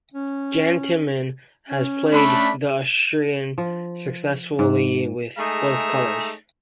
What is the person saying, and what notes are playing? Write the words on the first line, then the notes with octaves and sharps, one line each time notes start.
Jan Timman has played the Austrian successfully with both colours.
C#4
C#4
A3 D4 B5
F3
G#2
G#3 A3 D#4 G#4 E5 A#5